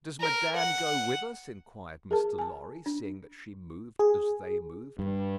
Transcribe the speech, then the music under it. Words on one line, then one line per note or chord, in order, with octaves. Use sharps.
"Does Madame go with us?" inquired Mr. Lorry, seeing that she moved as they moved.
A#4
F#5
G#4 A#4 A5
G#5 A5
D4
G#4
G2